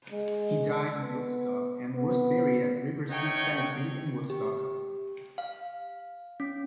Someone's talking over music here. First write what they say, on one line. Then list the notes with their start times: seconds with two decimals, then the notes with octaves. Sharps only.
He died in Woodstock and was buried at River Street Cemetery in Woodstock.
0.12 G#3
1.00 B3
1.95 B3
3.10 A3 D#4 C#5 F#5 G5
4.30 G4
5.38 F5
6.40 C#4